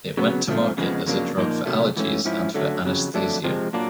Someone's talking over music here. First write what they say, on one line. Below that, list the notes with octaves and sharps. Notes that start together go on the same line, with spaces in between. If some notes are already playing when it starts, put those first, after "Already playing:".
It went to market as a drug for allergies and for anesthesia.
C#3 F#3 B3
G#2 F3 A3 C4
F2 C#3 F3 G#3 B3
F2 C#3 F#3 A#3 D4
A#2 F3 A#3 D#4
C3 D#3 F#3 A3
G#2 E3 A3 C#4
G#2 F3 C#4 E4
F#2 D3 F#3 A3
F2 C#3 F#3
F2 D3 F#3 A3 D4
C3 F3 G#3 C4
A#2 F#3 A#3 D4